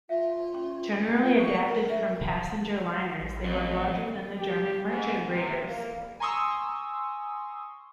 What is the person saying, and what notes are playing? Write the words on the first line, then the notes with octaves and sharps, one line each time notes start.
Generally adapted from passenger liners, they were larger than the German merchant raiders.
F4 E5 F5
C#4 C6 C#6
F4 G5
C#6
A#4 A#5
D4 E5
A1
F2
G4
G#2
C3
A#3
G#5 A#5 C6 C#6 D#6 E6